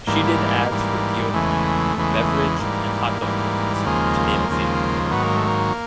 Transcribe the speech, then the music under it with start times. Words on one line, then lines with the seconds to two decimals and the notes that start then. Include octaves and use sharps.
She did ads for a deodorant, beverage and hotdogs brands, to name a few.
0.07 G#2 E3 G3 A#3
0.71 G#2 E3 G3
1.34 E2 C#3 E3 G#3 A3
1.96 E2 C#3 E3 G#3
2.59 G#2 E3 G3 A#3
3.22 G#2 E3 G3
3.85 D#2 C#3 F3 G#3 A#3
4.49 D#2 C#3 F3 G#3
5.11 G#2 D#3 F#3 B3
5.24 A#3
5.36 A3
5.47 A#3